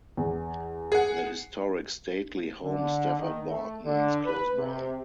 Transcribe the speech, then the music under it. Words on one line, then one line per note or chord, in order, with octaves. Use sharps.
The historic stately home Stafford Barton is close by.
E2
G#4 F#5
D3
D#3
A3
D3
B4
C3